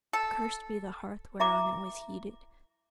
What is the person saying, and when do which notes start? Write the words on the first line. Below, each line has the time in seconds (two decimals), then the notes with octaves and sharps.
Cursed be the hearth whereon it was heated!
0.13 A4
1.40 E4 E5 A#5 D6